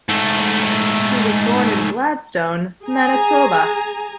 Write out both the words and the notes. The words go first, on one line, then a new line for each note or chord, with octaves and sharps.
He was born in Gladstone, Manitoba.
G#2 A3
G#4 G#5 A#5